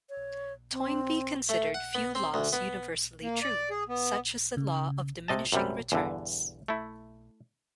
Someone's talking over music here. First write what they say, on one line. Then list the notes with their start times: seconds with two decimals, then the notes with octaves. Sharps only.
Toynbee considered few laws universally true, such as the law of diminishing returns.
0.10 C#5
0.73 C4
1.49 A3
1.74 F#5
1.95 B3
2.15 C4
2.34 D2
2.53 B3
3.23 A#3
3.42 D5
3.70 G#4
3.89 B3
4.57 C#3
5.28 C3 D#5 A5
5.52 F#2 C3 G3
5.92 E2 G2 D3
6.68 A3 E4